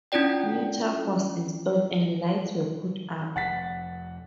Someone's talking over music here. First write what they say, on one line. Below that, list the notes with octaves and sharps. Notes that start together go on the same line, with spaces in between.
New turf was installed, and lights were put up.
C#4 D4 E4 F4 D5 G5
F1 F#5 A6 B6